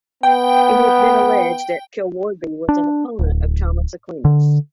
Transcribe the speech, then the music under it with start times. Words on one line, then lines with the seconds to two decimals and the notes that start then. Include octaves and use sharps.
It has been alleged that Kilwardby was an opponent of Thomas Aquinas.
0.23 B3 G5
2.69 D4
3.19 D1
4.25 D3